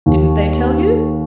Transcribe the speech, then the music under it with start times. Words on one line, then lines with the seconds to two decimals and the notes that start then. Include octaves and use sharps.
Didn't they tell you?
0.06 D#2